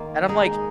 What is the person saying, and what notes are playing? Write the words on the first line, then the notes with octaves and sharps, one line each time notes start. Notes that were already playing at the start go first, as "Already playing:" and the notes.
and I'm like,
Already playing: D#3 A#3 F4
G#3 D#4 G#4